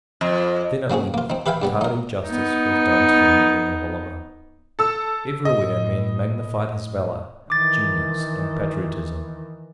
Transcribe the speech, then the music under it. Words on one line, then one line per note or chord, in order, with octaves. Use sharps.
Then, at length, tardy justice was done to the memory of Oliver. Everywhere men magnified his valour, genius, and patriotism.
F2
F#3 A#3 C4 C#4 G#4
A#3 F4
C4 D#4
G4 B4 E5 F5 G5 G#5
G2 G3 B3
D#4 A#4
B3 D#4
A4 E6
A2 D#5
D#3 E3 D6 A6